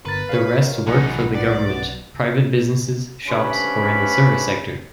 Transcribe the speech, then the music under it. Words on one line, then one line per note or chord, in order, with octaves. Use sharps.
The rest work for the Government, private businesses, shops or in the service sector.
G1 A#4 B4 A6
E2 C#5 F5
D#3
B1 E3 G#3 D#4 F#5
B3 D5
G2 C3 C#4 B5